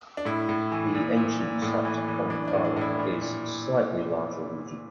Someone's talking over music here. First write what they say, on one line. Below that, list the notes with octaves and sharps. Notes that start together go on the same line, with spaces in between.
The ancient Saptakonkana is a slightly larger region.
D4
A2 E4
A2
E3
A#2
A#2
A#2
A2
E3
E3
E3 D4
D4
A2
D4
A2 E4
A#2
A#2